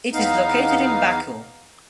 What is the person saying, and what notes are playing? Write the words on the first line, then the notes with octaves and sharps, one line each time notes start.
It is located in Baku.
E2 B3 D#4 F5